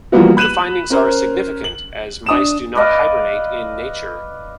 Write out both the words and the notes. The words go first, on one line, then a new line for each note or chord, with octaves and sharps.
The findings are significant, as mice do not hibernate in nature.
E3 F3 G3 A#3 B3 F#4
B5 F#6 D#7 E7 F#7
C#4 A#4 C5
F#7
D4 D#6 E7
B4 D5 D#5 F5